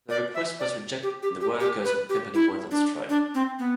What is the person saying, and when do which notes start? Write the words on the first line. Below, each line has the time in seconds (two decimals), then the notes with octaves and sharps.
The request was rejected and the workers of the company went on strike.
0.10 D5
0.35 E5
0.60 D5
1.03 G4
1.23 G4
1.41 G4
1.60 G4
1.85 B4
2.09 G4
2.34 E4
2.71 D4
3.10 D4
3.35 C4
3.59 B3